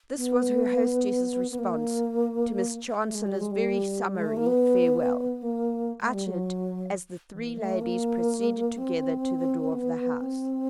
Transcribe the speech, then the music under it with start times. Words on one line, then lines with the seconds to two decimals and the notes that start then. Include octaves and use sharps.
This was her hostess's response to Miss Chancellor's very summary farewell, uttered as the three ladies proceeded together to the door of the house.
0.15 B3
1.51 B3
1.59 A#3
3.03 A3
3.15 G#3
3.27 G3
3.39 G#3
3.51 G3
4.16 G#3
4.26 A3
4.37 A#3
4.46 B3
5.42 A#3
6.01 A3
6.14 G3
6.26 F#3
7.34 E3
7.57 A3
7.81 A#3
8.78 C4
9.73 B3
10.21 C4